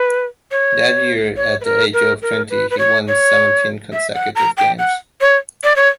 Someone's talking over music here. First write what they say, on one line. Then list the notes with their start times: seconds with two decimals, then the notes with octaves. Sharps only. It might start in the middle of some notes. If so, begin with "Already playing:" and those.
That year, at the age of twenty, he won seventeen consecutive games.
Already playing: B4
0.51 C#5
1.36 C#5
1.61 B4
1.65 A#4
1.93 A#4
2.22 A#4
2.50 B4
2.70 B4
2.78 C#5
3.08 C#5
3.92 E5
4.14 F#5
4.35 A#5
4.57 G5
4.78 F#5
5.21 C#5
5.64 D5
5.76 C#5